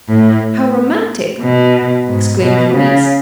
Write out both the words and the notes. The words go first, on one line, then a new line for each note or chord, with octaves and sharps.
"How romantic!" exclaimed Louise.
A2
B2
G#2
B2
C#3